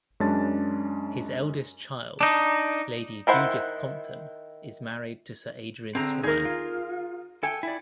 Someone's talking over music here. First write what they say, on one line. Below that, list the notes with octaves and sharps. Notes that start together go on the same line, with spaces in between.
His eldest child, Lady Judith Compton, is married to Sir Adrian Swire.
F#2 G#3 C#4 D4 A5 A6
D4 D#4
D#3 E4 C5 F#5
D3 C4 G#4 A#5
D#2 D#4 G#4 A#4
F4
A4 G5 G#5
E4 D5